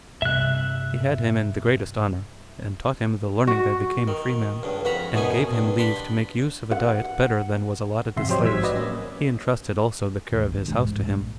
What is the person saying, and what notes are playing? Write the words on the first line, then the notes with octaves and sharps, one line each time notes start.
He had him in the greatest honor, and taught him the learning that became a free man, and gave him leave to make use of a diet better than was allotted to slaves. He intrusted also the care of his house to him.
G2 C3 E5 F#6
F#4
D#3
C#2 G2
F2 F#4 A#5 B5
F#2 B2 D#4 G#5
G2
D4 B5 C6
F#5
G#1 C3 E5 C6
F2 F#3 G4 C5 C#5 D#5
A1 G#2 F#3 E6 G#6 B6
F#4 B4 D5 D#5
A#3 C#4
A1 D#2
G#2 F3
A#1